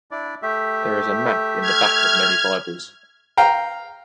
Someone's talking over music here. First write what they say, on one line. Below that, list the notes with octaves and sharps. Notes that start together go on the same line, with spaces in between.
There is a map in the back of many bibles.
D4 E4 D5
A3 G4 E5
F6 G#6
F5 G5 A#5